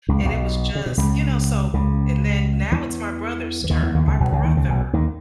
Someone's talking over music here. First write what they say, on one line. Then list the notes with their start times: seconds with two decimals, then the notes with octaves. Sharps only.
and it was just, you know so, and then now it's my brother's turn. My brother
0.09 C#2 C#3
0.25 B1 B2
0.75 C#3
0.86 B2
0.97 C#2 C#3
1.74 C#2 C#3
2.72 E2 E3
3.64 E3
3.70 D#2 D#3
3.82 E2 E3
3.95 D#2 D#3
4.08 C#2 C#3
4.20 B1 B2
4.32 C#2 C#3
4.44 D#2 D#3
4.56 C#2 C#3
4.69 B1 B2
4.93 D#2 D#3